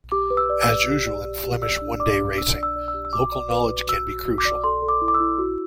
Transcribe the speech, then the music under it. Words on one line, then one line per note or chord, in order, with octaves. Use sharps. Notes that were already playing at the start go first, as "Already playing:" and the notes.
As usual in Flemish one-day racing, local knowledge can be crucial.
G4 D6
B4
E6
D5
E6
D5
G4
D5
G4
G4
D5 E6
D4
D5 D6
D4
D5 E6
D5
E6
D5
E6
G4
E6
F#4 D6
D5
B4 D6
F#4
F#4 E6
F#4
F#4
D6
D5
A4 C6
A4
D6
E4
D6
E6
E4
F#4